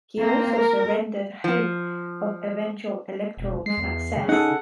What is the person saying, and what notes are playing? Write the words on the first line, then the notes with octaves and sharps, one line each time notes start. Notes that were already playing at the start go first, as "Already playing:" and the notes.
He also surrendered hope of eventual electoral success.
A#3 C4
A#4
F3
E1
G#3 C7
E2
C#3
D#4 G#4 A4 F#5